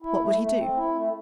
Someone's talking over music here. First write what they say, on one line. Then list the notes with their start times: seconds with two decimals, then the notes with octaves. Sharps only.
What would he do?
0.02 E4
0.20 A3
0.40 A3
0.58 C4
0.77 E4
0.95 A3